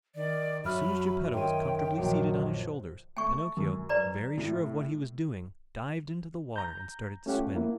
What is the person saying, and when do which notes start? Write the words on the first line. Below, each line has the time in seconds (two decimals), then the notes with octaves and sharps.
As soon as Geppetto was comfortably seated on his shoulders, Pinocchio, very sure of what he was doing, dived into the water and started to swim.
0.15 D#3 D5
0.65 F#2 F#3 F#4 E5 B5 F6
1.33 D#3 C#5 G5 C6 D#7
1.98 A#1 D#3 F#3
3.17 A3 G#5 C#6
3.57 F#2
3.89 B4 D5 A#5
4.37 A2
6.56 A#5 G6
7.26 A3 C#4 F4 G4 F#5
7.55 A#3 E4